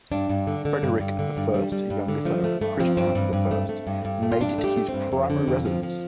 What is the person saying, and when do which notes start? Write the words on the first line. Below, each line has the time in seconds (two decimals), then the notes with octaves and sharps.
Frederick the First, younger son of Christian the First, made it his primary residence.
0.12 G2 D4
0.29 G2
0.47 D3
0.65 D3
0.83 G2
1.00 G2
1.19 D3
1.37 G2
1.54 G3
1.72 G3
1.90 G2
2.08 D3
2.25 F3 A3
2.44 A3
2.61 G2 A3
2.80 F3 C4
2.97 G2 C4
3.15 G2
3.33 G2
3.51 A3
3.69 A3
3.87 G2
4.05 G2
4.23 A3
4.32 F4
4.41 G2 D4
4.58 A3
4.64 G4
4.76 A3
4.89 C4
4.94 G2
5.12 F2
5.30 D3
5.47 F2
5.65 F3
5.83 F3